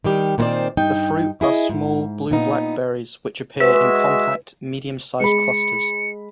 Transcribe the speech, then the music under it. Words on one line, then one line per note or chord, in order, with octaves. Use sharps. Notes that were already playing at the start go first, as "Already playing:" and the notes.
The fruit are small blue-black berries, which appear in compact, medium-sized clusters.
D#3 G3 G4
A#2 D#3 B3 C4 C5 D5
G2 D#4 G5
E4 G#4 D#5
G#2
A#2 B3 D#4
G#3 F#4 B4 E5
G#3 B5 C#7